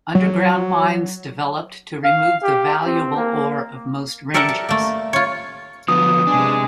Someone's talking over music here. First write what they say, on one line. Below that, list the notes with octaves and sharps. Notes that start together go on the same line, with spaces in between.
Underground mines developed to remove the valuable ore of most ranges.
F#3
F5
G4
C4
A#3
G4 A4 A#4 D5 E5 F#5
A5
A3 A#3
F4 C#5
D3 F3 F#3 B3 D#6
C3 G#3 D4 G#4